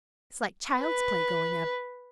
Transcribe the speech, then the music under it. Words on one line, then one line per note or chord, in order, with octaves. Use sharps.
It's like child's play going up.
B4